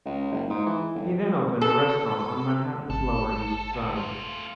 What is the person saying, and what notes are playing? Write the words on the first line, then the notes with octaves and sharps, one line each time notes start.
He then opened a restaurant on Manhattan's Lower East Side.
C#2
F#1
G#2
E3
G1
A4
G#1 A4
D2
A3 F4